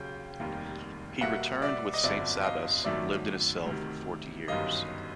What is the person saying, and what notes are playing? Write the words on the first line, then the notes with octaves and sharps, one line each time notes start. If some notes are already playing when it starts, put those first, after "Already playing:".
He returned with Saint Sabas and lived in his cell for forty years.
Already playing: D#2 C#3 F#3 G5
F1 D#2 D#3 G3 A#3
B1 B2 G3 A#3 E5 F#5
D5 E5
D#5
G1 F2 D3 F#3 D5 E5
D#5 F5
G#1 F#2 D#3 F#3 A3 D5 E5
D2 C3 D#3
G1 F#2 D#3 G3 D#5 F5